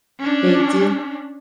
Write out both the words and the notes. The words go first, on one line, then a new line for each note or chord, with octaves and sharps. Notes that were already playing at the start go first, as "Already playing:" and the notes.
They did
C#4 D4